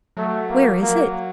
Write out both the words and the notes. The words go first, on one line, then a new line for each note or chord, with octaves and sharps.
'Where is it?
F#3 A3
A#3
F3
F#3 A#3